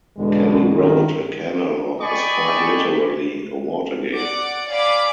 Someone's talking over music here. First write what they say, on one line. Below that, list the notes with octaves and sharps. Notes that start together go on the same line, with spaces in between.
Kelly wrote, a canal lock is quite literally, a water gate.
E2 B2 D3 G#3
G2 D#3
D5 D#5 G5 G#5 B5 C#6
D5 F#5 D6
D5 F5 G#5 B5 D6